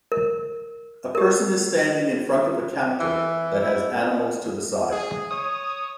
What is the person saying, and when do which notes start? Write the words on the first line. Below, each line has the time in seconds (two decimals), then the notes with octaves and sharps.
A person is standing in front of a counter, that has animals to the side.
0.12 A#4
1.15 G4 A#4
3.00 E3
3.60 E4
4.92 G#4
5.31 C#5 D#6